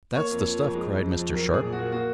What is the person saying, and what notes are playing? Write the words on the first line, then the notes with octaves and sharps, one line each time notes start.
"That's the stuff!" cried Mr. Sharp.
A#3 C#5
F2
F3
F2
G#3
F2
F3
F2
F#3 A#4
A#1
G#4
A#2
F#4
A#3
A#3 F#4